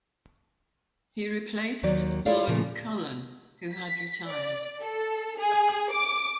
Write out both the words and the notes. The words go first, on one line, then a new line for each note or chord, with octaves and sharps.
He replaced Lord Cullen, who had retired.
D#2 D#3 F#3 A#3 D5
E4 F4 A4 C#5 D5 F5
A#2 C#3 F3 A3 A#3
B6
D5
A4
G#4
D6